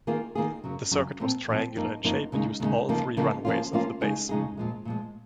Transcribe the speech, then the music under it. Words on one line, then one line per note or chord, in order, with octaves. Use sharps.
The circuit was triangular in shape, and used all three runways of the base.
D#3 A#3 F4 G#4
D#3 A#3 F4 G#4
F#2 C#3 F#3
F#2 C#3 F#3
A#2 F3 C4
A#2 F3 C4
F#2 F3 A#3 D#4
F#2 F3 A#3 D#4
D#2 C#3 G#3 D#4
D#2 C#3 G#3 D#4
C#3 F3 A#3 D#4
C#3 F3 A#3 D#4
F3 A#3 C#4 F4
F3 A#3 C#4 F4
C#3 F3 G#3 D#4 G#4
C#3 F3 G#3 D#4 G#4
A#2 F3 G#3
A#2 F3 G#3